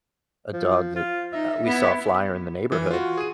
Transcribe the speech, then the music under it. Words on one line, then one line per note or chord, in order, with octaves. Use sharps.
a dog that, uh, we saw a flyer in the neighborhood,
F3
F4
D#4 E5
B3 E4
E3
F4 F#4
G#4 D#7